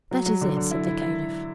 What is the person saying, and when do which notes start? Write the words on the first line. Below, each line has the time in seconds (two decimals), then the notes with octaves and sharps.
"That is it," said the Caliph.
0.11 F#3
0.26 F#3
0.41 D3
0.57 D3
0.71 E4
0.87 E4
1.02 E4